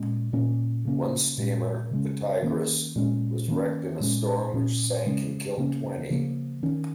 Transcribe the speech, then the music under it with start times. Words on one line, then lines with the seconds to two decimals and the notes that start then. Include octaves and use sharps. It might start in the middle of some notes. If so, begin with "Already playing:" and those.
One steamer, the "Tigris", was wrecked in a storm which sank and killed twenty.
Already playing: A#2 G#3 C#4
0.33 A#2 A#3 C#4
0.85 C#3 A#3 C#4
1.38 A#2 G#3 C#4
1.91 C#3 G#3 C#4
2.42 D#3 A#3 C#4
2.96 A#2 G#3 C#4
3.48 D#3 A#3 C#4
4.00 A#2 G#3 C#4
4.54 A#2 F3 C#4
5.06 C#3 G#3 C#4
5.57 C#3 A#3 C#4
6.10 C#3 F3 A#3
6.63 D#3 C#4